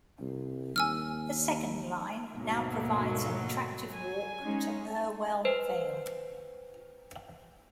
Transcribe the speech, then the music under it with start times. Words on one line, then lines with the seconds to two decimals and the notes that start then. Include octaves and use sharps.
The second line now provides an attractive walk to Irwell Vale.
0.21 C2
0.76 D#2 G#5 E6 F6
2.33 D2 G#2 B2 F#3 A#3
3.94 F#3 G#5
4.43 G#3 C#4 D#4
5.45 B4 C5